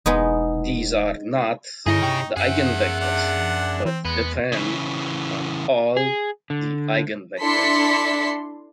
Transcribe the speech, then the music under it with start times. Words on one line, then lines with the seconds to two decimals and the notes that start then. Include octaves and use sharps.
These are "not" the eigenvectors, but "depend" on "all" the eigenvectors.
0.06 E1 G#3 B3 D#4
1.86 G2 D3 D#4 E4 G#4 C#5 D#5 A#6
2.02 C3 G5 C#6
2.36 F#2 G#4 E5 F#5
3.00 D4 F#5
3.85 E3 C4
4.05 E2 G#3 B3
4.52 C#3 E3
5.97 G#4
6.50 D3
7.42 D4 E4 A4 C6 B6 C#7